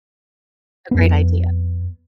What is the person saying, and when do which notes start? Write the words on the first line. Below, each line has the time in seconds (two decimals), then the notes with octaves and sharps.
a great idea.
0.91 F2 B3